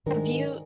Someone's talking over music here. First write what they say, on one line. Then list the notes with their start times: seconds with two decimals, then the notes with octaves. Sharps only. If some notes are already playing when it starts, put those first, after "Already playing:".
Have you
0.06 G#2 D#3 G#3 D4 A#4